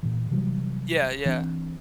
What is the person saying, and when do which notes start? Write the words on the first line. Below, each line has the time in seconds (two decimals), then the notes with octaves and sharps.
Yeah, yeah.
0.03 A#2 E3
0.31 C3 E3 F#3 G3
1.25 E3 C4 D4